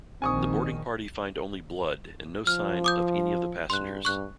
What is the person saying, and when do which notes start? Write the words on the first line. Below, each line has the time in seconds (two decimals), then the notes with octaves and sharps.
The boarding party find only blood and no sign of any of the passengers.
0.22 A#1 D#3 C4 G#5 C#6 D#6
2.47 F3 F6
2.84 D6 D#6 G6
3.70 G2 C6 F#6
4.05 G2 C#6 F#6